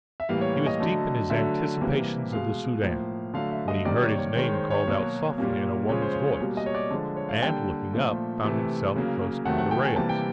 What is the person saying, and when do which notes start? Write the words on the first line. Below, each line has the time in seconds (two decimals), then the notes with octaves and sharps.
He was deep in his anticipations of the Soudan, when he heard his name called out softly in a woman's voice, and, looking up, found himself close by the rails.
0.20 E5
0.29 A2 E3 G3 A#3 F5
0.41 C#5
0.54 C#5
0.66 D#5
0.80 D3 F#3 A3
1.30 D3 F#3 A3 E5
1.81 C3 E3 G3 A#3
2.32 B2 G#3 F5
2.83 A2 F3 A#3
3.34 D3 F#3 A3 F5
3.51 E5
3.68 D#5
3.85 C3 D#3 G3 A#3 D5
4.03 C#5
4.19 C#5
4.36 D#3 G#3 C#5
4.53 C5
4.70 C#5
4.88 B2 F#3 A#3
5.38 A#2 G3 A#3
5.89 C#3 F3 G#3 C#5
6.02 C5
6.14 C#5
6.28 C#5
6.40 B2 G3 A#3
6.57 D#5
6.66 C#5
6.75 D5
6.90 D3 F3 G#3
7.17 C#5
7.29 F5
7.42 D3 G3 A#3 G5
7.93 A#2 F3 A3
8.44 C3 E3 A3
8.95 C#3 F#3 A#3
9.45 C3 D#3 F#3 A3 F#5
9.58 F#5
9.71 G5
9.84 G#5
9.96 C3 E3 G3 A#3 A5
10.09 G5